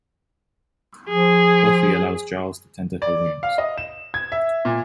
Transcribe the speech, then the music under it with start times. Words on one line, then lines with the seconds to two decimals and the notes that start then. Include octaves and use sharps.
Buffy allows Giles to tend her wounds.
1.09 F3 G#4
3.02 D5
3.43 F5
3.58 D#5
3.78 E7
4.14 G#6
4.32 E5
4.65 A#2